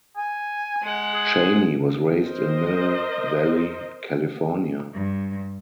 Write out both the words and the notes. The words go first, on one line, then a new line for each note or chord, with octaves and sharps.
Chaney was raised in Mill Valley, California.
G#5
G#3 F#5
G#4
A#4 C5 D#5
G2